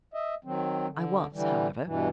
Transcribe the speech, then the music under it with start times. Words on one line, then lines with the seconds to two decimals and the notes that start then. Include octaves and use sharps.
I was, however.
0.14 D#5 E5
0.44 D#3 F#3 C4
0.90 D3
1.32 D3 E3 G3
1.85 G2 B2 E3